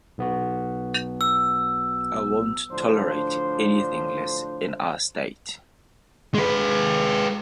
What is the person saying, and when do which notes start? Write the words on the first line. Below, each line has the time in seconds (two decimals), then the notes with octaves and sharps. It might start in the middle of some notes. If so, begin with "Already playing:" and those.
I won't tolerate anything less in our state.
0.18 B1 B3 F#4
1.21 E6
2.72 A2 D3 F3 D4 C5
6.35 G#3 B4